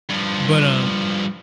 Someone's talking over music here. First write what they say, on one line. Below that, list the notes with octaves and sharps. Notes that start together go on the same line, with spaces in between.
but, um,
G2 F3